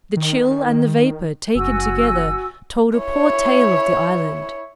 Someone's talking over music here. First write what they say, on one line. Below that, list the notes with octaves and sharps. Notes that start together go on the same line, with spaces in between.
The chill and the vapour taken together told a poor tale of the island.
D#3
F#1 F#4 G#5 E6
E4 C#5